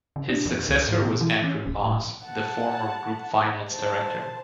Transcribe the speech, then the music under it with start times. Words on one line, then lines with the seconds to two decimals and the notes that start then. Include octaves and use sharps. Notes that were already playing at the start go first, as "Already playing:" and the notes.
His successor was Andrew Moss, the former group finance director.
0.16 C#3
0.29 D4
0.46 F2
0.68 C#2
0.87 G#2
1.05 B2
1.21 E3
1.44 C#4
1.66 D1
1.84 A2
2.23 F#5 A5
3.70 C5 A5